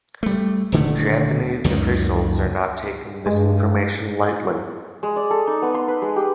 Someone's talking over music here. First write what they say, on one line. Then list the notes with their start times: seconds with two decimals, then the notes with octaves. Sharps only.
Japanese officials are not taking this information lightly.
0.23 G3 A3
0.72 D#1 D3 A3
1.64 C#2 F#2 A#2 D#3
3.26 G2 G#3
5.03 G#3
5.16 D5
5.31 A4
5.47 D#4
5.62 B3
5.74 C6
5.88 B4
6.02 G#3
6.16 G4